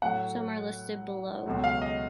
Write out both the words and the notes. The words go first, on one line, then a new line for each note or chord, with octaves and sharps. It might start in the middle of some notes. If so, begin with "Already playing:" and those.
Some are listed below.
A2 F#3 A3 F#5
C#2 B2 F#3 A3
F5
D#5